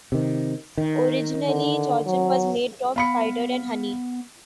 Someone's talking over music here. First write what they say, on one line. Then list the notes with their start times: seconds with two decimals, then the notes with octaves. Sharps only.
Originally chouchen was made of cider and honey.
0.12 C3 D#3
0.77 D#3
1.47 D3
2.06 F#3
2.96 B3 F5 B5 C#7